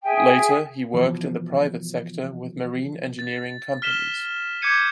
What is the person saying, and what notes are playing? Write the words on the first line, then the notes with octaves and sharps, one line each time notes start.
Later he worked in the private sector with marine engineering companies.
G#4 E5 G5 G#5
B2 E3 F3
A6
F6 B6 E7 G7
D6 G6 G#6 C#7 D#7